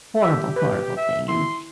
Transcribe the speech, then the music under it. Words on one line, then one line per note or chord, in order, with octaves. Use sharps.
horrible, horrible thing, and,
G4 E5
B4
E5
E4 C6